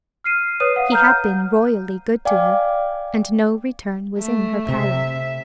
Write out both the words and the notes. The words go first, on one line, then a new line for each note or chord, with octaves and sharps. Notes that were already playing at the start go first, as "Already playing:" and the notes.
He had been royally good to her, and no return was in her power.
F6 C7 D#7
B4 C#5 D#6 D#7
F5 F#5
A#5 F6 G6
D5 F5 G5 G#5 D6
A3
C3 E5